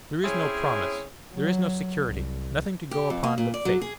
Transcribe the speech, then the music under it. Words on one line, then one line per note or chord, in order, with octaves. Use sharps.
There is no promise, there is no security--nothing to go upon but Faith.
C4 C#4 E4 G#4 C#5
F#3
C2
G4
F2
A#3
A#2
D5
F#3
G#4